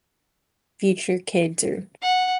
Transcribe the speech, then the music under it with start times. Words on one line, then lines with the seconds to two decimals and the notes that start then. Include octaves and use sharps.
future kids, or
2.02 F#5